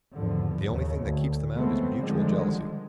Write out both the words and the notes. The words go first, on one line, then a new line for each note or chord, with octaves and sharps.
The only thing that keeps them out is mutual jealousy.
G#1 E2 G2 D3 F3
D#2 C#3
D2
C#3 E3 G#3 A3 B3 C4
D3 D#3 F3 G3 G#3